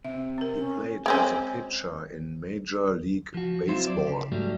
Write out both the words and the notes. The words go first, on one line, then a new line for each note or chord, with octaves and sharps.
He played as a pitcher in Major League Baseball.
C3 E5
C4 A#4
C#4
G#3 C4 C#4
F3 F#4
F#3 C4 E4 F4 C5
D5
C#3
G#2 F#3 G3 A3